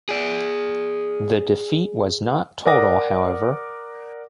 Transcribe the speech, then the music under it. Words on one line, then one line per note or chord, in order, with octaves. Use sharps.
The defeat was not total, however.
G#4 D5
A#4 D5 F#5 D6 D#6 A#6